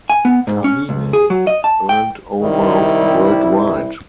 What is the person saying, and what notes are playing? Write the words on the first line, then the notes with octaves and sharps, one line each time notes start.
"Kaminey" earned over worldwide.
G#5
B3
G#2
C#4
C#2
G#4
F#3
D#5
A5
G5
C2 D#3 G3 E4